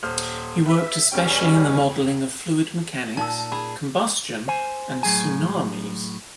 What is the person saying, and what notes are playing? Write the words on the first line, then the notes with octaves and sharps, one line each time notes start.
He worked especially in the modeling of fluid mechanics, combustion, and tsunamis.
D#1 C5 F6
B4 E5
E1 B2 G3 C#4 G5
A#2 D#4 A5 E6
G#4 B5
C5 G#5
A2 F#3 G#4 G#5